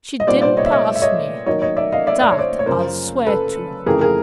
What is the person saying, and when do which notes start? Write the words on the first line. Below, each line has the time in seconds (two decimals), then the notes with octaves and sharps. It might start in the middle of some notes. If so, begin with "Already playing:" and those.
"She didn't pass me, that I'll swear to."
0.20 D#5
0.27 A#2 G3 B3 D#4 C5 D5
0.42 C5 D5
0.57 C#5 D#5
0.66 E5
0.72 C#5 D#5
0.96 E5
1.02 C#5 D#5
1.46 D#3 F#3 A#3 C#5 D#5
1.62 C#5 D#5
1.77 D5 E5
1.92 D#5 F5
2.07 D5 E5
2.22 D5
2.31 C#5
2.39 C5 D5
2.59 C#5
2.66 F#2 C#3 F3 A#4 C5
3.27 A4 B4
3.86 F2 C#3 E3 A3 G#4 A#4
4.01 G#4 A#4